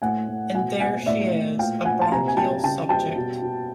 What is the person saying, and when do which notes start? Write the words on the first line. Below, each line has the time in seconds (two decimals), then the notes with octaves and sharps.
And there she is — a bronchial subject!
0.02 A2 F#5 G#5
0.29 A2
0.54 B2 F#5 G#5
0.80 B2 F#5 G#5
1.06 A2 D5 E5
1.33 A2
1.59 A#2 F5 G5
1.85 A#2 F#5 G#5
2.02 A5
2.12 C3 G#5 A#5
2.28 G#5
2.37 G3 G5 A5
2.64 C#3 G5 A5
2.89 G3 G5 A5
3.16 B2
3.42 B2